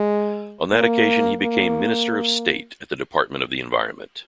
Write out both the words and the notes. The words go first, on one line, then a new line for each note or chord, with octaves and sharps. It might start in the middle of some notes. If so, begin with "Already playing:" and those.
On that occasion he became Minister of State at the Department of the Environment.
Already playing: G#3
A#3
A#3